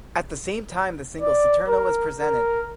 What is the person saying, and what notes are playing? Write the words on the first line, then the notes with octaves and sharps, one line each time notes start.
At the same time the single "Saturno" was presented.
D5
A#4
A#4